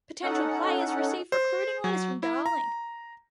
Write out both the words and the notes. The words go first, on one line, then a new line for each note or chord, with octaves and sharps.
Potential players received recruiting letters from Darling.
C#4 D#4 A4 F#5
C5
F#3
E4
A#5